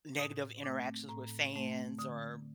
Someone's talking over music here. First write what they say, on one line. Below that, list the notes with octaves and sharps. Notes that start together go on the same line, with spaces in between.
negative interactions with fans or,
A2 D#6
A3 C4 D6
A2 A#5
A3 C4
D3 D#6